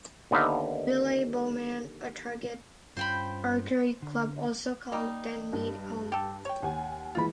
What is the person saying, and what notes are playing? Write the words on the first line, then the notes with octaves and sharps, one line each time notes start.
Ville Bowmen a target archery club also call Denmead home.
D#2 D3 B3 D#4 E5 F5
G2 C#4 F4 C5 G5 B5
D3
G3 A#3 D#4
G2
G4 A4
C#5 G5
D#2 F#5 G#5
A#2 E3 G#3 F4 B5